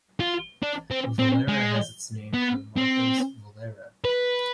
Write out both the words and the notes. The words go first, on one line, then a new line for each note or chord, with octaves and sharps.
Valera has its name from Marcos Valera.
F4
D4
C4
C4
G#3
B3
C4
B4